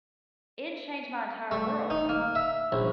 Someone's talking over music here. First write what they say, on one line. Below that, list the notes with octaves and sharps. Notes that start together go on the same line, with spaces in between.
it changed my entire world.
A3
D#4
A#3
E5
A#1